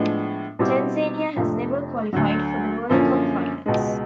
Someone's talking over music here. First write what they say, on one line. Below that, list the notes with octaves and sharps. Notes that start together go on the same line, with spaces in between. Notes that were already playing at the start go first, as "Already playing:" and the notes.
Tanzania has never qualified for the World Cup finals.
Already playing: A2 F3 G#3 B3 D4
B2 G3 C4 E4 G4
F2 C3 F3 A3 D4
D2 D3 F#3
F#2 D3 F3 A#3 C#4
C#2 B2 G#3